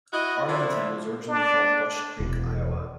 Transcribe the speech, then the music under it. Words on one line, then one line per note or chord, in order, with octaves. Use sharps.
Arlington was originally called Brush Creek, Iowa.
E4 F#4 D#5
F3 D4 E4
D4
E1